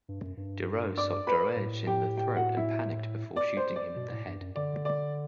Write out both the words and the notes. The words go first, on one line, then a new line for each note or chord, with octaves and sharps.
Deroux shot Droege in the throat, and panicked before shooting him in the head.
G2
F#2
G2
D5 D6
B4 B5
A2
G4 G5
G4 G5
F#4 F#5
E4 E5
D5
C5
D5
B2
A2
G2
F#2
D3 D5
D5